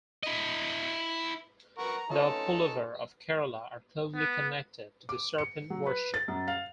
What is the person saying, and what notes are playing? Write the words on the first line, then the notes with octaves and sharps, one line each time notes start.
The pulluvar of Kerala are closely connected to the serpent worship.
E4 D#5
A#4 B4 F#5 C#6
A#5
A3 C#4 D#4 F4 A4
B3
D6
C#7
F#3
B4
A6
F#2
F5